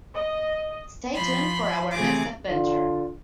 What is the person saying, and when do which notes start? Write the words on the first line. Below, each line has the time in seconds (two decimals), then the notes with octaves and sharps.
Stay tuned for our next adventure.
0.14 D#5
1.14 F3 B5 C6
1.93 C3 E3 A3 G#4 D6
2.49 D3 F4